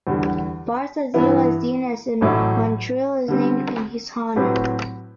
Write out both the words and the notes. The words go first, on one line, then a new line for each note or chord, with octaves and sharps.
Parc Azellus-Denis in Montreal is named in his honour.
E2 D3 G3
G2 E3 B3 E4
A1 A2 F#3 A3
D3 G3 C4
A2 F#3 C4 G4 B4